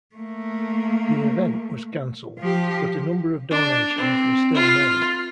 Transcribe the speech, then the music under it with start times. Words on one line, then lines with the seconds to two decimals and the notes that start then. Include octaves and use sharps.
The event was cancelled, but a number of donations were still made.
0.16 A3 A#3
2.39 F3 G4
3.51 D4
3.98 C4
4.55 F4